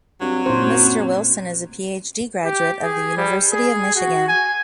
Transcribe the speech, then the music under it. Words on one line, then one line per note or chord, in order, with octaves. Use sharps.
Mr. Wilson is a Ph.D. graduate of the University of Michigan.
G2 F#3 C4
F#1 A#2 C5
F#2
G4
G#4
G3
G#4
F#4
G#5